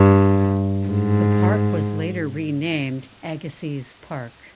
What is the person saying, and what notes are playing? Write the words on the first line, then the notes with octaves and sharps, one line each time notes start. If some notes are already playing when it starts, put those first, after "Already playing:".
The park was later renamed Agassiz Park.
Already playing: G2
G#2